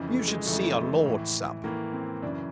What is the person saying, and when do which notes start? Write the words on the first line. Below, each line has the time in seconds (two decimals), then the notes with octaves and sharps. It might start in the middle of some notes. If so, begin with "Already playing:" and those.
You should see a lord sup.
Already playing: F2 C#3 E3
0.08 A3
0.28 G#3
0.47 F2 C#3 E3 A3
1.06 A2 E3
1.64 A2 E3 A#3
1.93 C4
2.22 F#2 C#3 E3 D4